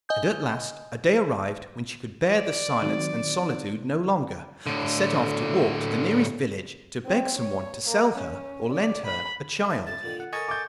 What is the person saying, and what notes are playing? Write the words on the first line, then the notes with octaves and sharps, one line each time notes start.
And at last a day arrived when she could bear the silence and solitude no longer, and set off to walk to the nearest village to beg someone to sell her or lend her a child.
D#5 G#5 D#6 G6
D5
D#3 F#3 C4
A2 D3
C4
C#5
A#3
C#4
D5
B5
E5 A5
A6
A#2 D3 D#3
F#5
A4 A#4 C#5 D#5 G#5 C#6 A6
D6 G6